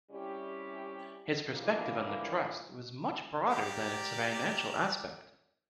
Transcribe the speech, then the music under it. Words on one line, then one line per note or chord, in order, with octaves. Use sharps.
His perspective on the Trust was much broader than its financial aspect.
C3 G3 C#4 E4 G4
A2 D3 E3 F3 A#3
G4 A#4 D5